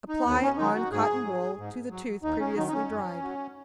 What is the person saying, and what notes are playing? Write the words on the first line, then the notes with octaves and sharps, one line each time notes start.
Apply on cotton wool, to the tooth, previously dried.
D#4
D#2 B3
C#4
D#3 F#3 D#4
F#4
G#2 G#4
F#3
G#2
F#3
D#2 D#4
C#4
D#3 F#3 D#4
D#4
C#4
F#2
F#3